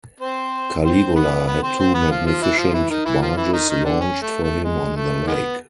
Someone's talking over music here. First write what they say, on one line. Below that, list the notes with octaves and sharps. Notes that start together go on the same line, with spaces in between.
Caligula had two magnificent barges launched for him on the lake.
C4 C5
C4 C5
C5
B3 B4
B3 B4
C4 C5
C4 C5
B3 B4
F3 F4
F3 F4
E3 E4
F3 F4
F4
E3 E4
D#3 D#4
E3 E4
F3 F4
E3 E4
D#3 D#4
D#3 D#4
D3 D4
C#4
A3
A3
G#3
A3
D#3 G#3 B3